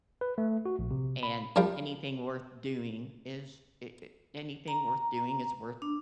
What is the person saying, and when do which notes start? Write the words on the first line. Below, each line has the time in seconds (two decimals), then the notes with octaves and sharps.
And anything worth doing is, eh eh, anything worth doing is worth
0.21 B4
0.38 A3
0.66 F#4
0.79 A#1
0.91 C3
1.23 B5
1.56 F#2 F3 G3 F5 G5
4.68 A#5
5.82 D4